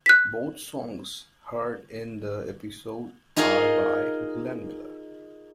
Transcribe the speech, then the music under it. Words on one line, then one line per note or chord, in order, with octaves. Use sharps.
Both songs heard in the episode are by Glenn Miller.
F#6 B6
D#4 F4 G#4 A#4 F5